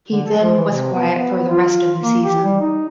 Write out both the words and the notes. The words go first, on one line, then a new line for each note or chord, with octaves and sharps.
He then was quiet for the rest of the season.
D3
A4
F3
E3
C3
B3
B3
F4
A#3
G4
G3
D#4